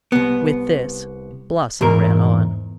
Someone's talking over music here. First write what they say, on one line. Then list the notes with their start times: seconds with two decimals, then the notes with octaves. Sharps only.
With this Blasi ran on.
0.12 C2 B3
1.81 E2 G#2 A#4